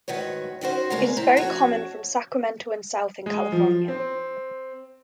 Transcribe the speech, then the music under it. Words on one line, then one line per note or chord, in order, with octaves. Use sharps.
It is very common from Sacramento and south in California.
G#2 D#3 F#4 B4 C#5
D#3 C#4 F#4 C5
D2 C#3 G#3 A#4 C#5 F5
A2 C4 E4 C5 E5 A#5
F2 C#4 F#4 C#5 A5
G#3
F3
C4